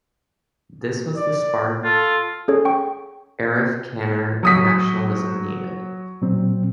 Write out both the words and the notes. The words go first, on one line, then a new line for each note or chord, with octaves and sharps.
This was the spark Afrikaner nationalism needed.
D5
F4 A4
C#4 G#4 A4 C#5
G5 C#6
F#3 D#6 B6
A#2 F#3 C4